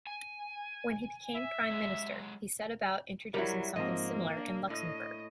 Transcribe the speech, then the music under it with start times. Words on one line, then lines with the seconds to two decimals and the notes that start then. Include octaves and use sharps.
When he became prime minister, he set about introducing something similar in Luxembourg.
0.07 G#5
1.35 E5
1.71 F#3 G#3
3.34 F#3 G3 E4 A#4 A#5
3.76 G#2 F3 A#3 C4 D#5
4.37 D4
4.70 A2 D#5